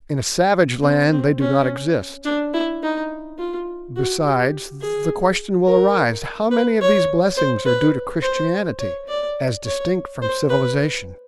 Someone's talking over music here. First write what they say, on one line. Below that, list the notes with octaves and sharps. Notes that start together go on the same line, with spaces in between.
In a savage land they do not exist. Besides, the question will arise: How many of these blessings are due to Christianity as distinct from civilization?
C4
C4
C#4
D4
E4
D#4
F4
F#4
G4
G#4
A#4
B4
C#5
C5
B4
C5
C#5
D5
C#5
C5
B4